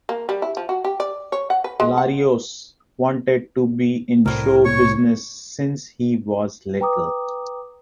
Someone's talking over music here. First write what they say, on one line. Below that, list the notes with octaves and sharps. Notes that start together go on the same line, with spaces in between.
Larios wanted to be in show business since he was little.
A#3
G3
E4
F3
F#4
G4
D5
C#5
F#5
B4
G#3
F#5
C2 A2 A#4
C#5 C#6
B4 G5 A#5 D6 D#6